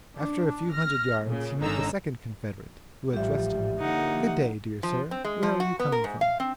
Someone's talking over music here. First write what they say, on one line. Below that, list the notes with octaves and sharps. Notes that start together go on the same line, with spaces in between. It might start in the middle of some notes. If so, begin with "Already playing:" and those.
After a few hundred yards he met the second confederate, who addressed him, 'Good day, dear sir, where are you coming from?'
D4
F6 A#6
A#2 C#3
G#1 D3 C#4 D#4 A#5 E6
A1 F3 G3 G4 E5
D3 F3 A#3 D#4 F#5
F3
C4
G#3
F3
F#4
B3
A#4
G#2
F5
C4